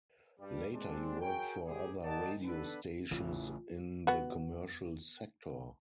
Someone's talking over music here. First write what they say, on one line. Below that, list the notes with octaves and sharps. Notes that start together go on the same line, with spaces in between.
Later, he worked for other radio stations in the commercial sector.
G2 G3
G#3 C4 D4
F#4 G#4 A#4 C#5 G5
G#2 G4 G#4
A#4 D5 D#5 F#5 G5 A5
B3 D4 A4 B4
A1 C#3 E3 F4
B3 F#4